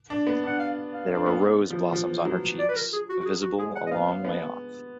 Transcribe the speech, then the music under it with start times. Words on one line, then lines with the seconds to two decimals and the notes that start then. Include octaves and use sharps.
There were rose blossoms on her cheeks, visible a long way off.
0.10 D4
0.27 B3
0.44 D4 F#5
0.59 F5
0.94 F5
1.15 D4
1.26 B3
1.70 F3
1.93 F3
2.25 F#3
2.59 D5
2.69 B4
2.76 A#4
2.93 G#4
3.09 F#4
3.21 F#4
3.26 G#4
3.42 F#4
3.58 G#3 G#4
3.76 F#5
3.86 D#5
3.91 B3 F5
4.25 B3